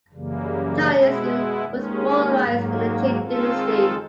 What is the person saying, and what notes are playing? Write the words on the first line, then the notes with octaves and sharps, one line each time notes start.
Taoism was polarized in the Jin dynasty.
F#2 C#3 E3 G3 A#3
B2 G#3 B3 E4
D#2 D#3 G#3 C#4
G#2 D#3 F#3 A#3
D#3 G#3 C4 F4 A4